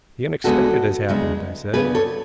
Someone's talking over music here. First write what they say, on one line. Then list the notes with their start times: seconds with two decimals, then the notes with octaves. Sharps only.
"The unexpected has happened," I said.
0.44 D2 C#3 G#3 B3 F#4 A4
1.08 D2 C#3 G#3 B3
1.73 D2 C#3 G#3 B3 G#4 B4
1.95 A4 C#5